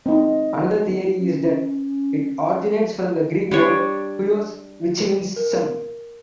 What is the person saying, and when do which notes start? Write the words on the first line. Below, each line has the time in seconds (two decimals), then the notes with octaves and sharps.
Another theory is that it originates from the Greek word "huios" which means "son".
0.06 C4 D#4 D#5
1.19 C#4
3.51 G3 D4 C#5
5.36 A#4